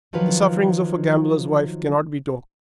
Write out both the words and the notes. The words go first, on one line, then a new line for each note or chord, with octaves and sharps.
The sufferings of a gambler's wife cannot be told.
D#3 F3 F#3 F4 B4